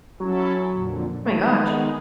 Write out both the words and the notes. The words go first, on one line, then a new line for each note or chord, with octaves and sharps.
My gosh.
F#3 C#4 E4 A4
F2 A#2 D3
D#3 G#3 A3 D#4
B3